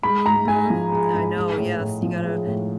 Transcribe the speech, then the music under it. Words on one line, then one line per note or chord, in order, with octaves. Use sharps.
Mhm, I know, yes, you gotta
G#3 B5
G#2 A#5
G#2 G#5
F3
G#3
G#2
G#3
A2
A2
F3
G#3
A2